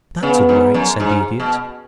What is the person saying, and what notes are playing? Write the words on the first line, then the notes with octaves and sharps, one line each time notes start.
"That's all right," said the Idiot.
C#3 B3
G#2
F#2
G#2
B2